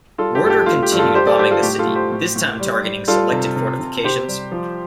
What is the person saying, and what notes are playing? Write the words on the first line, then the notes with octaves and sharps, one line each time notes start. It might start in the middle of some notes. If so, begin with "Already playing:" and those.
Werder continued bombing the city, this time targeting selected fortifications.
G3 F4 A4
G4
G2 A4
G4
A3 F4
G4
G2
F4 A4
G3 G4 C5
A4 D5
G3 G4 C5
F4 A4
A2 G4
G4
F4 A4
A2
G4 C5
A2
A2
G3
G3
G3 F4 A4
C3
C3
C3
C3 G4 C5
G3
F3